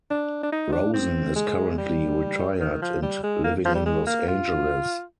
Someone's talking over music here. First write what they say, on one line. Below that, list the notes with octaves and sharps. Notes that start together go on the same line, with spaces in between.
Rosen is currently retired and living in Los Angeles.
D4
D4
D#4
D4
C4
G#3
G3
D#3
F3
G3
G#3
A#3
F3
G3
G#3
A#3
F4